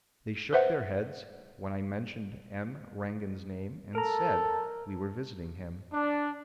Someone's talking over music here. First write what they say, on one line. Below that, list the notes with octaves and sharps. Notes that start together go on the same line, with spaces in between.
They shook their heads when I mentioned M. Rangon's name and said we were visiting him.
B4 C5 E5 F#5
A4 A#4 A#5
D4